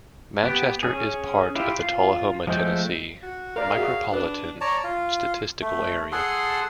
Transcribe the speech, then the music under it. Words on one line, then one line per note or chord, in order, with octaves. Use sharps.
Manchester is part of the Tullahoma, Tennessee Micropolitan Statistical Area.
B3 G4
C#4 G#4
E4 F4 G4
F4
F3 G#3 A3 G5
F#4
A#4 D5 F5
F#4 G#4 E5
D4 B4
C#5 D5 A5 A#5
F4
A3
G#4 A4 F#5 C6